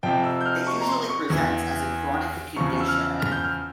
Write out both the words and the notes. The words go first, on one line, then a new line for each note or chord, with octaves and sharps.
It usually presents as a chronic condition.
F2 C3 F3 G5
E6
G6
F6
C#6
A#5
C6
C#6
E2 E3
E2 C#3 F3 C#6
E6
F6
F6
G6
F6